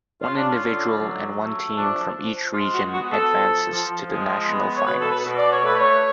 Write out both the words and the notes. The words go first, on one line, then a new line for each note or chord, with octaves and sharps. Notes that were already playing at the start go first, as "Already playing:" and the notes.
One individual and one team from each region advances to the National Finals.
C#4 F4
D4
F4
D3
F#3
A3
F3 D4
F3
G#3 F4
F#4
B3 F#4
A4
F3
F3
G#3
B3
C#5
B2 B4
A4
B4
B2
D5
C#5
A3 B4
C#5